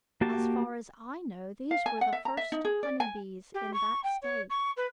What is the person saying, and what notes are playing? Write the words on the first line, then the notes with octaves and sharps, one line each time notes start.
As far as I know these were the first honey bees in that state.
A#3 F#4 G4 A5
F5
G#5
F#5
E5
A#5
E5
D#4
G#4
D5
G#5
G4
C#6
G5
C#5
C#6
B4